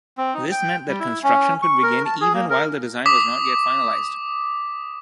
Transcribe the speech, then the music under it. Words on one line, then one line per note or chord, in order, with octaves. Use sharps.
This meant that construction could begin even while the design was not yet finalized.
C4
D#4
G5
G3
E4
C#4
C#6
A#4
A5
G#4
A#3
A#4
D6 D#6 B6